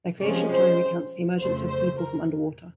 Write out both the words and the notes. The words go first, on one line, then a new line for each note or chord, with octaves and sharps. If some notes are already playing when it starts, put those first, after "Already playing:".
Their creation story recounts the emergence of the people from underwater.
C3 F3 G#3 C#4 D5
C5
F2 C#3 F3 A3 C5
C5
A#4